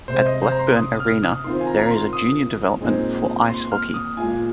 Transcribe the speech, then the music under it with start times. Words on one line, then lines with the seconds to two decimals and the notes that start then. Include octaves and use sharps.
At Blackburn Arena, there is a junior development for ice hockey.
0.08 C3 G#3 C4 G#4 C5
0.26 D#5
0.42 C5
0.52 A#5
0.59 C6
0.76 D#6
0.93 D#6
1.00 F6
1.23 D#6
1.44 D#3 C4 F4 C6
1.61 G#5
1.67 A#5
1.79 A#5
1.91 C6
2.13 D#6
2.81 A#2 G#3 C4 D#4 G#4
3.49 C6
3.72 F6
3.94 D#6
4.17 A#2 G#3 F4 G#5